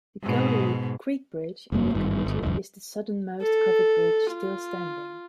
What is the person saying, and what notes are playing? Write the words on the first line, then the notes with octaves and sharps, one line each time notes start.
The Cohelee Creek Bridge in the county is the southernmost covered bridge still standing.
G#2 B2
F1 G2 A#3
G#1 G2 D#3
G1
E1 C#2 F#2
A4
F4